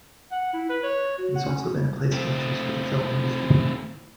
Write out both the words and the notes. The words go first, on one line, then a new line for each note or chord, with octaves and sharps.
It has also been a place of interest for the film industry.
F#5
E4
B4
C#5
F#4
F#5
C#4
F#4
G3
A3 C4